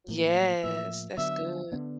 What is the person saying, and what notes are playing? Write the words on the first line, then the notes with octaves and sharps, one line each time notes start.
Yes, that's good.
A2 F3 A#3
A2 F3 A#3 E5
D3 F#3 B3 D4 E5
D3 F#3 B3 D4